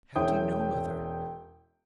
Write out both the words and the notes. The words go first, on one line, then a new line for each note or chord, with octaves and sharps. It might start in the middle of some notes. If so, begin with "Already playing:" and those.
"How do you know, mother?"
E1 C#4 E4 G5 D#6